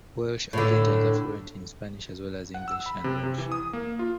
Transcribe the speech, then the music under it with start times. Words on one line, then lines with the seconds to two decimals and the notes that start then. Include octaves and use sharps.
Welsh-Argentines are fluent in Spanish as well as English and Welsh.
0.53 A2 D3
2.54 F#5
2.68 E6
2.86 B5
3.04 C3
3.23 C3
3.38 E3
3.52 D#6
3.73 A#3
3.99 F4